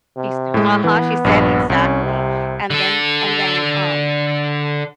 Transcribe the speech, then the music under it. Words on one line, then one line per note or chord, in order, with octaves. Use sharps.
she st Uh-huh, she said Exactly, and then and then, um,
C3
A2 G#3
E3 B3
A#1 G2
C2 C#4
C3
D3 A4